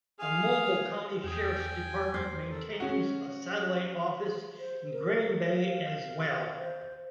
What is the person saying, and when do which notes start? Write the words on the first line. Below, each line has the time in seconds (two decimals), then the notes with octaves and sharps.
The Mobile County Sheriff's Department maintains a satellite office in Grand Bay as well.
0.19 G#4 F5
1.23 E2 G5 G#5 D#6
2.14 C5
2.47 A4 A#4
2.80 C#4 F#4
4.59 C5
4.92 A#4
5.52 F5
6.58 C5